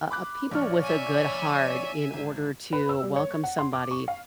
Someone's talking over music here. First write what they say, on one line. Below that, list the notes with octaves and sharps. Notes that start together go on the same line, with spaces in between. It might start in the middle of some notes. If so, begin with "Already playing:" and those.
uh, people with a good heart in order to welcome somebody,
B5 D6 F#6
A#1 C#5 D5 F6
E5 G#5
G#1
B4
E6
G3
C#5
F#5
C6
D6
C#6
F5